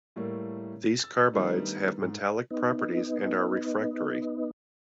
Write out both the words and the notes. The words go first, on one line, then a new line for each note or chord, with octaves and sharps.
These carbides have metallic properties and are refractory.
A2 G3 A3 A#3
E6 A6
D#3 G3 A3 B3 D4 D#4
G#2
B3 D#4